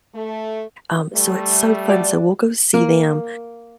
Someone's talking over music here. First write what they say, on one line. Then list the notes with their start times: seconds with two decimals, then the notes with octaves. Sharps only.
Um, so it's so fun, so we'll go see them,
0.14 A3
1.14 G3 A3
1.87 F#4 D5
2.74 A#3